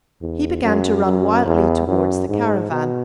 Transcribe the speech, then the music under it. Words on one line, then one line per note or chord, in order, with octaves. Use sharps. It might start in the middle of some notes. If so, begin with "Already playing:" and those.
He began to run wildly towards the caravan.
E2
F#2
F#2
E2
F#2
G#2
B2